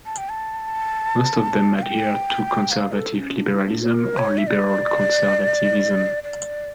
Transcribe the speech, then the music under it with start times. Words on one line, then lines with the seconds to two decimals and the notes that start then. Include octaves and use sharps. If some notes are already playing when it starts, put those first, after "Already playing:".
Most of them adhere to conservative liberalism or liberal conservativism.
0.06 A5
0.17 G5
0.29 A5
1.77 F5
1.83 G5
2.71 F5
2.93 A4
3.15 C#4
3.38 D4
3.53 E4
3.59 D4
3.83 C#5
3.88 A#4
4.18 C#5
4.38 E5
4.47 D5
6.23 D5